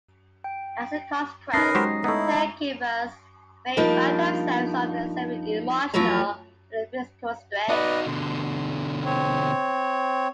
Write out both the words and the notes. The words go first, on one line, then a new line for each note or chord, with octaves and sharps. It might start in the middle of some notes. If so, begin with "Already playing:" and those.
As a consequence caregivers may find themselves under severe emotional and physical strain.
G5
C#4 D#4 A#4 B4 D#6 A#6 C7
F#3 G#3 G4 C5
A3 B3 D#4 E4
F3 G3 A#3 D4 D#4
E2 F3 F#3 A3 C#5 A#5
D#4 F#4 B4 D5 D#5
B2 D3 C6
C4 C#5